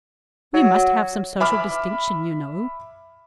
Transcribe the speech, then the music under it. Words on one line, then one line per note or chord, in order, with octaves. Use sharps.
"We must have some social distinction, you know."
F#3
E5 B5 D6 F6